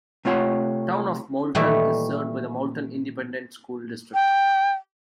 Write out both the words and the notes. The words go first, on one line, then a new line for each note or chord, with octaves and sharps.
The Town of Moulton is served by the Moulton Independent School District.
C3 A3 F4 C#5 F#5 C6
A#2 D#3 E3 G3 A3
G5